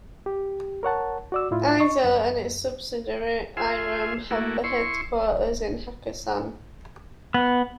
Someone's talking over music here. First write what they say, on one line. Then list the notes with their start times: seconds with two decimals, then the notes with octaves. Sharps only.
Eizo and its subsidiary, Irem, have their headquarters in Hakusan.
0.26 G4
0.83 A#4 C#5 F#5 A5
1.32 F#4 D5 E6
1.51 A2 E4 F4
1.80 D#5 C#6
2.04 F#2
3.57 F4 G#4 E5 C6
4.31 A3 A#3 E4 F#4
4.64 E4 C6 C#6
7.34 B3